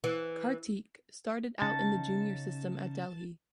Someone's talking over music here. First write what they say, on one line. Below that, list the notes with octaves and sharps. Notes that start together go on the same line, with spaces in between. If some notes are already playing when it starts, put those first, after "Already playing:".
Kartik started out in the junior system at Delhi.
E3
C#3 C#4 D#4 A5